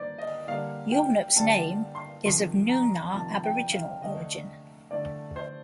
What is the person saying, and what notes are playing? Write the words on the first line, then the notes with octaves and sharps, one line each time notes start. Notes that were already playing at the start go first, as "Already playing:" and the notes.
Yornup's name is of Noongar Aboriginal origin.
Already playing: G2 D#3 A#3 D4 C5 D5
D#5
D3 G3 A#3 D4 F5
G5
D3 G3 A#3 D4 A5
C6
F2 C3 D#3 C6
A#5
F2 C3 D#3 A5
G5
F5
D3 A3 D4 D#5
D3 A3 D4 D5
C5